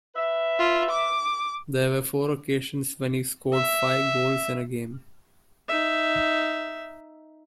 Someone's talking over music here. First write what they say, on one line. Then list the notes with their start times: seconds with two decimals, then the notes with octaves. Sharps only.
There were four occasions when he scored five goals in a game.
0.16 B4 E5
0.59 F4
0.90 D6
3.54 E5
5.68 D#4 E5